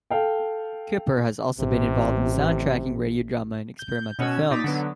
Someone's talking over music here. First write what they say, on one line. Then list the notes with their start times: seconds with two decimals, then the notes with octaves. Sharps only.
Kuepper has also been involved in sound tracking radio drama and experimental films.
0.10 A4 F5 G5
1.59 A1 C3
3.79 G6
4.19 B2 C#4 F#4 E6 G#6
4.50 A#2 D#4 D6 A6 B6
4.64 D3 F#3 B3